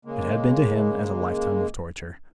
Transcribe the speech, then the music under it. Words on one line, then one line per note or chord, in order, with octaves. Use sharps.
It had been to him as a lifetime of torture.
C#3 G#3 A#3